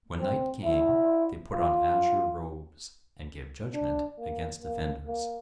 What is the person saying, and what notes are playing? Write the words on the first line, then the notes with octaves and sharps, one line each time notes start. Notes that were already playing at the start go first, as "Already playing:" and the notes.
When night came, they put on azure robes and gave judgment against offenders.
C4
E4
F4
D4
A#3
A#3
A#3